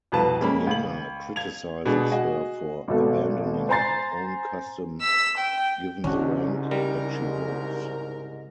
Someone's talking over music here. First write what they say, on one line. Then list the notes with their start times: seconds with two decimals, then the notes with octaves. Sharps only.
Deanna criticizes her for abandoning her own custom given the rank that she holds.
0.12 C2 F2 B2 B4 A5
0.41 F2 G#3 A#3 C#4 B5
0.67 C#2 F#7
1.36 G#6 F7
1.85 B2 G#3 D4 G#4
2.12 F#4 G#4 D#5
2.88 G#1 B2 A4
3.69 C5 G#5 A#5 C6 A6 C7
5.01 E6 B6
5.37 G5
6.04 C2 G#2 C#3 C#4 D4 F#4
6.71 G3 A#4